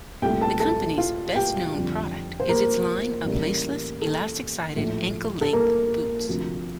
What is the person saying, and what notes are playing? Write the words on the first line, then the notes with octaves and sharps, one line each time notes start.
The company's best-known product is its line of laceless, elastic-sided, ankle-length boots.
C2 A#2 A3 G4 G5
A4 A5
A4 A5
F4 F5
G4 G5
F2 D3 G3
C5
A#3 A#4
A1 A2 G3 A#3
A4
A#1 A2 A3
A4
A#3 A#4
D2 C3 F3 A#3